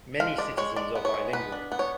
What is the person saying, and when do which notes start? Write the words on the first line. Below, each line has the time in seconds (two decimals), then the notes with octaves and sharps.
Many citizens are bilingual.
0.20 G#3 F5
0.38 G#3 D5
0.57 G#3 C#5
0.76 G#3 D5
0.95 B3
1.05 C#5
1.14 G#3
1.33 B3 B4
1.52 D4
1.72 B3
1.79 C#5